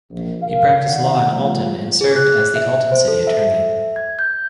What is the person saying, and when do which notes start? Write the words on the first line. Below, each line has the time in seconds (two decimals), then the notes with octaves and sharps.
He practiced law in Alton and served as the Alton city attorney.
0.11 A#1
0.42 D2 A#4 F5
0.89 C3 D#3 D5 F#5
1.31 F3 G3 A3 B3 F4
2.01 G#4
2.16 F#6
2.56 E5
2.92 C5
3.08 A4
3.27 E5
3.96 G#6
4.19 G6